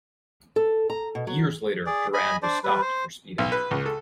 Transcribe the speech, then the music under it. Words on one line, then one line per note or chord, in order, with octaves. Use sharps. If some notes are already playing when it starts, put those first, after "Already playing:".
Years later Durand was stopped for speeding.
A4
A#5
B2
F#3
G#4 D5
D#5 G#5 B5
D4 C5 D5
G3 B4
C5
B1
B4
C#2
A4